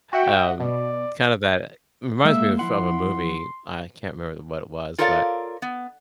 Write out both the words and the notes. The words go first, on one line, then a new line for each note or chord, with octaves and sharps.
Um, kind of that, reminds me of of a movie, I can't remember what it was, but,
F#4 E5 F#5 G5
B2 D5
G#3 A#3 E5
F3 E4 F#5 C6
F4 A4 A#4 C#5 D5 F5
B3